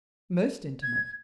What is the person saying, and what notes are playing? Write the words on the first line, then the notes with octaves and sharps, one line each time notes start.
"Most intimate."
G#6